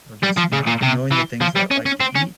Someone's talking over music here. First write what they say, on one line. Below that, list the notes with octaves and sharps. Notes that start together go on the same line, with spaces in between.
or just, you know, knowing the things that I like to eat,
G3
F3
C#3
A#2
C3
E3
F3
G3
C#4
C#4
C4
C#4